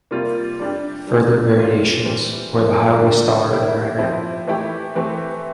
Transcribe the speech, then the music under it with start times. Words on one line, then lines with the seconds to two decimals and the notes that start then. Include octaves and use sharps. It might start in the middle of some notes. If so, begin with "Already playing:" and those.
Further variations, where the Highway Star, and Rider.
0.11 C3 G3 A#3 F4
0.60 G3 D4 G4
1.07 G3 D4 G4
1.56 E3 A#3 D4 F4
2.05 E3 G3 C4 G4
2.53 A#2 F3 A#3
3.01 D3 A3 D4 G4
3.50 G3 A#3 E4 G4
3.98 F3 C4 E4 G4
4.48 E3 A3 E4 G4
4.95 E3 A3 C4 G4